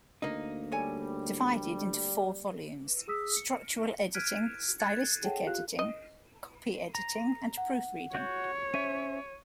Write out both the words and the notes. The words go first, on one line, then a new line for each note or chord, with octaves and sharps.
Divided into four volumes: structural editing, stylistic editing, copy editing, and proofreading.
D2 A#3 D#4
G3 A4 C#5 G#5
G#4 D#6 E6 B6
C#7
F6 F#6 G#6 B6 D7 D#7
F#6 G#6 A6 C#7
G#4 A4 C#5 F#5 G5 A5
F4 G4 F5 F#6
D#5
A#5 A#6
F#5
F#4 C#5 G6
C#4 C5 E5 D#7